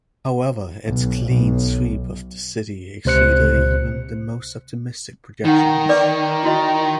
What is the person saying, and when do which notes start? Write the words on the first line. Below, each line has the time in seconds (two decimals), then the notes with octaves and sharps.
However, its clean sweep of the city exceeded even the most optimistic projections.
0.86 B1
1.27 B1
3.05 C#2 C3 C5 F#6 C#7
5.45 D#3 D#4 F#5
5.89 B4 D5 D6
6.43 E4 F#4 D#5